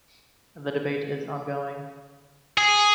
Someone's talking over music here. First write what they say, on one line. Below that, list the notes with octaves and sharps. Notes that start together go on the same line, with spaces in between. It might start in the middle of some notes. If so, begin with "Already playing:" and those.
The debate is ongoing.
G#4